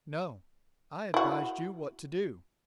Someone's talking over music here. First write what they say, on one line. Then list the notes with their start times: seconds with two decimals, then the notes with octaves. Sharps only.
"No, I advised you what to do!"
1.14 E4 F#4